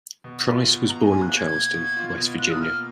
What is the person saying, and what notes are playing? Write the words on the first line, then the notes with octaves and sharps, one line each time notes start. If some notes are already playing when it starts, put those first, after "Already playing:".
Price was born in Charleston, West Virginia.
B2
F4
B2
B2 A#5
G#5
A#3
F#6
A#3
G#6
B2
B2
F4
B2
F4 F#6
D#6
A#3 F6